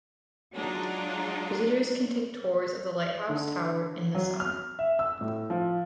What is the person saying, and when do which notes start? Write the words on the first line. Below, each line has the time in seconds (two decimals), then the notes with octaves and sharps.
Visitors can take tours of the lighthouse tower in the summer.
0.53 F#3 G#3 D4 D#4 F4
3.29 D3
4.15 F#3
4.40 F6
4.79 E5
4.99 E6
5.21 A2
5.50 F3